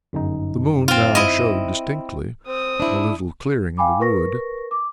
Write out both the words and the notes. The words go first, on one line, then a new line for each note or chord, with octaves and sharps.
The moon now showed distinctly a little clearing in the wood.
G1 F#2 D#4
C4 F4
E4 D#5
C4 D#6
D4 E4
F5 G5 G#5 B5 D6
A#4 B4 C#6 A#6
D6